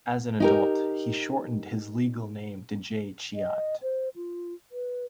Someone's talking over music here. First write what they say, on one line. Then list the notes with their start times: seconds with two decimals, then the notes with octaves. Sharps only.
As an adult he shortened his legal name to Jay Chiat.
0.40 D#4 G4 A#4
3.35 D#5
3.82 C5
4.16 F4
4.72 B4